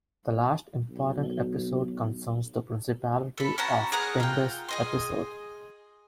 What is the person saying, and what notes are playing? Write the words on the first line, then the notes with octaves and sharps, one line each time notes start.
The last important episode concerns the Principality of Pindus episode.
B1
A4 B5
C#4 F#4 A5 A#5
G#4 A#4 F#5 A#5
F4 G5
G#4 D#5 C6